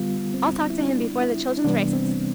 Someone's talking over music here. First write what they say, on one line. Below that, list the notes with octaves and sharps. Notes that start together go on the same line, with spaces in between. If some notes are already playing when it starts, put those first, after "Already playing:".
I'll talk to him before the children's races.
Already playing: D3 G3 B3 F4
C4
E4
D4
E4
C3 E3 G3 B3 D4
C4